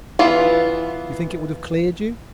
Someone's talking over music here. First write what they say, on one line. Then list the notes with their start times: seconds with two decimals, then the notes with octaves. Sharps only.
You think it would have cleared you.
0.19 E3 B3 F4